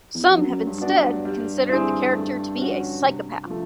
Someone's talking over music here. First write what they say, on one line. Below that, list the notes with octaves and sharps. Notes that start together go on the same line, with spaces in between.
Some have instead considered the character to be a psychopath.
E2
F2
F#2 F#3
G2
B3 D4 F#4
G2
G3
C4 E4 G#4
A3
C#4 F#4
G2 C3
F3
A3